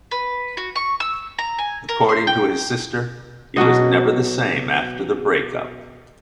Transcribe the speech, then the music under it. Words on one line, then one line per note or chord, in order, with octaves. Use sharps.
According to his sister, he was never the same after the break-up.
B4
F#4
C#6
E6
A#5
G#5
A#4
C6
G5
B2 F#3 F#4 D#5